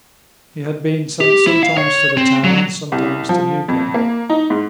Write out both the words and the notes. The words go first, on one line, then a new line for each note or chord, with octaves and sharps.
He had been sent sometimes to the Tower, and sometimes to Newgate.
G4
E4
F5
C#5
C4
F#3
C2
F3
F2
A#3
D#4
G#2